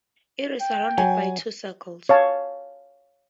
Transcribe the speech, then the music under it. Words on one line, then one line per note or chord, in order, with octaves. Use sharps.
It is surrounded by two circles.
G5
F#3 G#5
C#5 F5 A5